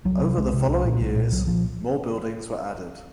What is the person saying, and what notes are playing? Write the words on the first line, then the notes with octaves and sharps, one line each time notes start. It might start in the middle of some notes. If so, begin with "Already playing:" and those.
Over the following years more buildings were added.
C2 F#3
C3
C2 G#3
C3
C2
A#2
C2
A#2
C2 F#3
A#2 F3